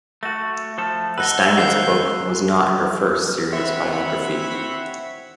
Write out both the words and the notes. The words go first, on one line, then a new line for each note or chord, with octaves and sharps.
The Steinitz book was not her first serious biography.
A3 F#4 A#6
F3 A3 A4
D#4 B4 F#5 E6 F#6 G7
D#2 G#4 C5 F5 C7
C4 E4 C#5 E5 F#5 B5